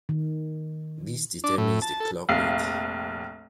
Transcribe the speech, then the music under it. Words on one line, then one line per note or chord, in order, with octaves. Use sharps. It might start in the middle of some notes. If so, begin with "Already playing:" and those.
This determines the clock rate.
D#3
D4
A2
A5
A4
F1 A#1 F5 C7